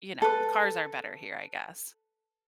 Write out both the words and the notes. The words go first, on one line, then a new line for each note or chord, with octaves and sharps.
you know cars are better here, I guess.
A4 B4